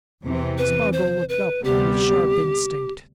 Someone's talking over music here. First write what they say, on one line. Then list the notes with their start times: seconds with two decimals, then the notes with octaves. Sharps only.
Spargo looked up with sharp instinct.
0.22 E2 C3 E3
0.58 B4
0.93 C5
1.29 B4
1.64 D2 C3 G3 B3 G4